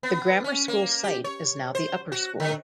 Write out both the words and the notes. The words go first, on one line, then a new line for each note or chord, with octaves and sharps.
The grammar school site is now the upper school.
B3
C#4
A#3
G4
C#5
C5
F#4
D3